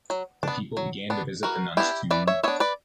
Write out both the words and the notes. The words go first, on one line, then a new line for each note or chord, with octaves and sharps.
The people began to visit the nun's tomb.
F#3
B3 D4
F#3
B3 D4
E3 F#4 A#4
B3 D4 E4 G4
E3 B4 D5
C#5 E5
B3 D4 C#5 E5
B4 D5